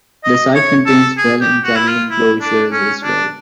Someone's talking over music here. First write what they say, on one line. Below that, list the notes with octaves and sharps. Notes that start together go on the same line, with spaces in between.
The site contains wells and cattle enclosures as well.
D#5
C#5
A4
G#4
G4
F#4
E4
F4
E4
D4
C#4
D4